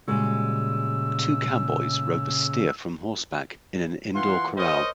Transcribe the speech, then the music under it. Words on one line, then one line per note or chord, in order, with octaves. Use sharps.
Two cowboys rope a steer from horseback in an indoor corral.
A#2 C#3 G3 G#3 F#4 E6
E3 F4 F#5 C6
A#4 C5 C#5 D#5